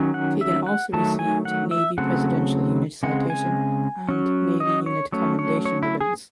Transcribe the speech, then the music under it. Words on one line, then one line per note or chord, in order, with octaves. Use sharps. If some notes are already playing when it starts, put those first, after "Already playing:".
Fegan also received Navy Presidential Unit Citation and Navy Unit Commendation ribbons.
Already playing: D#3 F#3 C#4
F#5
E5
F#5
D#3 F#3 A3 A5
G#5
F#5
E5
C#3 F#3 A3 C4 F#5
C#3 G#3 C4 F#5
G#5
F#3 C#4
D#5
C#5
F#3 A3 C#4 C#5
C#5
C#5
E4
G#4